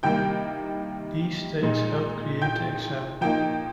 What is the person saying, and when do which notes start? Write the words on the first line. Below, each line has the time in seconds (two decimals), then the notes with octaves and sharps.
These states help create the exam.
0.03 C3 D#3 G3 A#3 G5 G6
1.63 A#2 G#3 D#4
2.41 G5 G6
3.21 F3 A#3 D#4 G5 G6